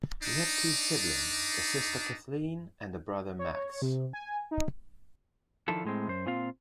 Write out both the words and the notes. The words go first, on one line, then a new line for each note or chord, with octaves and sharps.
He had two siblings, a sister Kathleen and a brother Max.
D4 D#4
C#5
C#5
C3
G#5
D#4
D#3 F3 D4 E4 F4 A4
A2 G#3 C4
F#2 C5
A#2 C4 F4 F5